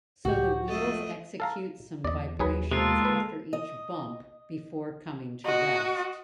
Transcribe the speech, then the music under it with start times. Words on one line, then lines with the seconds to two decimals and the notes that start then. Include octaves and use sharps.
So the wheels execute some vibrations after each bump before coming to rest.
0.25 C#2 A2 F#4 G4
0.68 F2 A3 A4 D#5 A6
1.40 A4 F5 A#5
2.05 E2 D5 D#5
2.39 D#2 F#3 G#4 B4
2.71 C3 G#3 A#3 F4 A4
3.05 B4
3.53 D#5
5.45 F#4 D#5